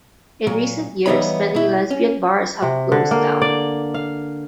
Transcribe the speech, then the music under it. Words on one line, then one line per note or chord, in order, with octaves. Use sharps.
In recent years many lesbian bars have closed down.
A#2 F#3
E3 G3 B3 D#4 C#5 B5
B2 E4
C#4
C3
D3
A#3
D5
F5